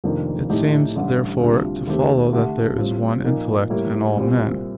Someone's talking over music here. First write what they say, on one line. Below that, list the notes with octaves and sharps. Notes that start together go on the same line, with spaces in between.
It seems, therefore, to follow that there is one intellect in all men.
F1 F2 D#3 A#3 D4
A#1 A2 A3 D#4 G4
A1 G2 D3
D2 C3 G3 D4 F4
D#2 D#3 A3 C4 G4
D3 A3 D4 G4
A2 G3 C4 F4
A#2 F3 A#3 D#4
A2 G3 A#3
C2 A#2 G3 C4